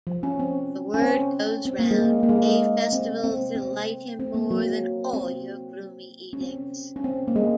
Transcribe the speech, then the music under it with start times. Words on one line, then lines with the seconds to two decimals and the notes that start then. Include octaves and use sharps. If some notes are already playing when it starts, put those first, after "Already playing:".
The word goes round: 'Gay festivals delight him more than all your gloomy edicts.
0.07 F3
0.23 C#4
0.39 C4
0.94 C#4
1.02 C4
1.66 C4
1.79 A#3
1.91 G#3
2.04 A#3
2.23 A#3
2.29 G#3
2.93 C4
3.23 C4
3.55 C4
4.20 C4
4.34 A#3
4.51 F#3
5.13 C4
6.33 C#4
6.41 C4
6.96 C#4
7.04 C4
7.28 A#3
7.36 G#3